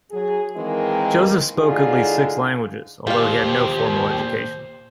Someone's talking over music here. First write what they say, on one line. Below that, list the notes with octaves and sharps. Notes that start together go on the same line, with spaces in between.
Joseph spoke at least six languages although he had no formal education.
F#3 G#4
D#3 E3 G#3 A#3 C4
A2 D3 D#4 F4 G#4
D#2 A#2 F4 G4 C5 F5